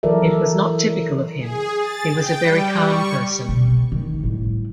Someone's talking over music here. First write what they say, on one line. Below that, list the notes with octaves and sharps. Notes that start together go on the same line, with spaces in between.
It was not typical of him, he was a very calm person.
E3 F#3 A4 A#4 D5 E5
G#4
A6
G5
G3
C#6
B2
D#3
A2 G3